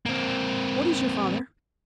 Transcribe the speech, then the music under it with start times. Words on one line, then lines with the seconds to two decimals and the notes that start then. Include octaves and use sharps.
'What is your father?'
0.06 A#3 C4